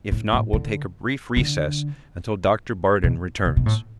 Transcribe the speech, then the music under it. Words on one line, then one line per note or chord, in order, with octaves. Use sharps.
"If not we'll take a brief recess until Doctor Bardon returns."
A2
A2
D3
D3
B2
B2
B2
A2